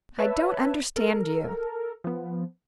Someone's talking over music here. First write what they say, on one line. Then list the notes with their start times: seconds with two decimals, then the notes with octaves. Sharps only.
"I don't understand you."
0.19 B4 C#5 E5 A5
0.96 A4 A#4
2.04 F3 B3